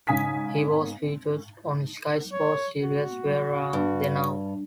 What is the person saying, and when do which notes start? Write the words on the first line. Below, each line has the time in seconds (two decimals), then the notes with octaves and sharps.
He was featured on Sky Sports series "Where are they now".
0.07 G#2 C#3 G#5 D#6 B6
2.32 C#5
2.83 F#4
3.73 G2